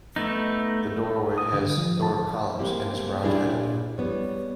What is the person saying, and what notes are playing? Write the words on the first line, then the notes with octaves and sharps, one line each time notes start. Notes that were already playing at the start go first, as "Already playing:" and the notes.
The doorway has Doric columns and is round-headed.
A3 B3 D#4
D#6
D3
F3
A5
G#3 A#3 C4 E4 G4
A#2 C#4 D4 E4 G4 G#4
G3 B3 C#5